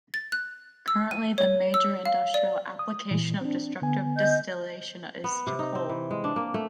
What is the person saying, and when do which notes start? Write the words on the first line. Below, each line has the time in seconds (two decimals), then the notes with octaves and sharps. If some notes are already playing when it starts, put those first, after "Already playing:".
Currently the major industrial application of destructive distillation is to coal.
0.14 A6
0.32 F#6
0.88 E6
1.11 D#7
1.38 C#5
1.74 E6
2.05 F5
2.34 D5
2.79 D#6
3.11 A#2 E3
3.41 C4 D4
3.82 D3 B3 G#5
4.17 D#5 G6
5.24 B3
5.47 C3
5.59 D#4
5.75 C4
5.89 E3
6.11 G#3
6.24 D4
6.36 A#3
6.54 A3